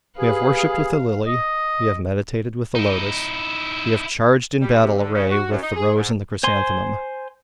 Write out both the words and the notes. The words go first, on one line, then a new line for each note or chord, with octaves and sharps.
We have worshipped with the lily, we have meditated with the lotus, we have charged in battle array with the rose and the chrysanthemum.
G4 G#4 B4 F5
D#5
D#4 E4
G3
C3
D3
C#3
F#4
F#2
D#4
G#4
G#2
C5 G#5 C6